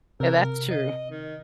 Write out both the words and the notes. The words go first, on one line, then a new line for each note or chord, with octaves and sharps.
and that's true.
C3 A#4
D#5
D#3